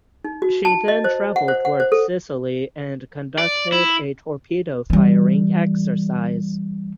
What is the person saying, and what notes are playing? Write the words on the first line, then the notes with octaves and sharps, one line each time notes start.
She then traveled toward Sicily and conducted a torpedo-firing exercise.
D#4
F#4
A5
D#5
C5
F#5
C5
F#5
C5
A4
D5
E4
E3 G3